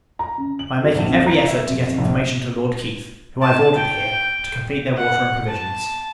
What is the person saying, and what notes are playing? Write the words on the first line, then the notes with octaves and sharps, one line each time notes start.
I am making every effort to get information to Lord Keith; who I have ordered here, to complete their water and provisions.
A#5
C#3
F#7
F#4
A#1
F2
A#5
E5
F2
A#1
A5
G5
F#5
A5